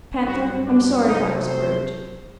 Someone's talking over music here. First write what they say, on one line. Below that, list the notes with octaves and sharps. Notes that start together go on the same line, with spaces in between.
'Panther, I'm sorry if I was a brute.'
G2 F#3 C4 F#4
D4
C3 F#3 A3 C4 D#4
C5